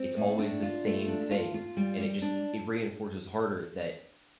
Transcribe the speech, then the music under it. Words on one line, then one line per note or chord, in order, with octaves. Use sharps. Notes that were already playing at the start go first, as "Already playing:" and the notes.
It's always the same thing, and it just ch it reinforces harder that
Already playing: C4
A2
D4
F4
A3
D4
F4
F4
G3
G3
D4